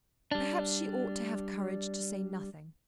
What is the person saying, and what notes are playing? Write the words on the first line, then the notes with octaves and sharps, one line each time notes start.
Perhaps she ought to have courage to say nothing.
G3 D4